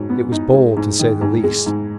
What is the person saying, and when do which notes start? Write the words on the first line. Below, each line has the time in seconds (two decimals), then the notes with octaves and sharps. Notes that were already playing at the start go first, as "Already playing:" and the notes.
It was bold, to say the least.
Already playing: G#2 F#3
0.10 B3
0.32 D#4
0.54 G#3
0.77 G#2
0.99 D#3
1.21 G#2
1.44 G#3
1.66 G#2